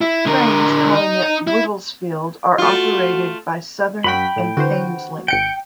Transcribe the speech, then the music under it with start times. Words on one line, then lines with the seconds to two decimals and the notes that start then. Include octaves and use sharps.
Trains calling at Wivelsfield are operated by Southern and Thameslink.
0.01 E4
0.26 D3 A#4
0.94 D#4
1.47 E4
2.58 A3 F4 F#4
4.04 F#2 F#4 G5 B5 B6
4.36 A2
4.57 D3 E3 F#4 C5
5.28 G#1 G5 C#7 D7